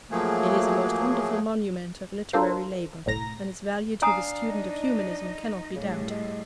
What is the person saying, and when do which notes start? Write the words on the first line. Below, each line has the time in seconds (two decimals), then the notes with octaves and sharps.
It is a most wonderful monument of literary labour, and its value to the student of Humanism cannot be doubted.
0.11 F3 F#3 A3 A#3 G#4
2.33 D4 F4 A4 A#4 C5
3.06 G1 C2 A2 A#5 A#6
4.02 D4 F5 G#5 A#5 D#6
4.45 D#4 D#5
5.75 A2 C#3 G3
6.10 G#3